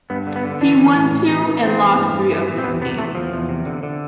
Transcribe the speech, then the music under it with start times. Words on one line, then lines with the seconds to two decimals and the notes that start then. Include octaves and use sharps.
He won two and lost three of these games.
0.10 G2 B3
0.27 D3
0.36 B3
0.44 D3
0.61 E3 D4
0.78 E3
0.95 A2
1.11 A2
1.29 E3
1.45 E3
1.62 E3 C4
1.80 E3
1.96 G2
2.13 G2
2.31 E3
2.47 E3
2.58 C4
2.64 E2 B3
2.81 C3 B3
2.98 E3 A3
3.15 E2 F3
3.33 E2
3.49 C3
3.66 D3
3.83 D3